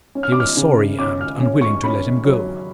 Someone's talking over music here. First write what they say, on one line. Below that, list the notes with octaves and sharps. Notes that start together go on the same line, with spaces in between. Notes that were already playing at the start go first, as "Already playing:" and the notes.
They were sorry and unwilling to let him go.
C#4
F6
D6
F6
C#3
C#4 D6
F6
C#4
C#6
C#4 B5
F#3